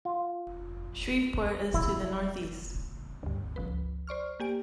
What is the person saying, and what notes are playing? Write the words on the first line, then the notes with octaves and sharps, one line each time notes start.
Shreveport is to the northeast.
F4
E4
D2 G2
G1 C#2 F3 B4
C5 D5 C#6 F6
A#3 G4 G#5 D7